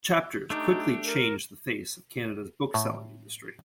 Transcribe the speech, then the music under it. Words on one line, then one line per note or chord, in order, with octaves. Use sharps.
Chapters quickly changed the face of Canada's book selling industry.
A3 D4 D#4 G4
A#4
A2